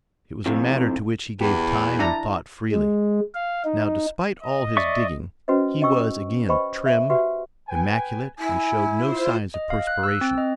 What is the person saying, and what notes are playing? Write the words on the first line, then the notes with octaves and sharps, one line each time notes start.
It was a matter to which he gave time and thought freely. Now, despite all his digging, he was again trim, immaculate, and showed no signs of perspiration.
F2 A2 C3
E2 G4
D4 E4 A#5
G#3
F5
D#4
D#5
D5 E5 C#6
C#4 F#4 B4 C5 D#5
D#5 G5 C#6 E6
B4 C5 D#5 G5 B5 C#6
E5
F#4 G4 B4 E5 F#5
B4 G5 G#5
E4 G#5
F4 C5
D#5
F5
F#6
E6
C4
D#5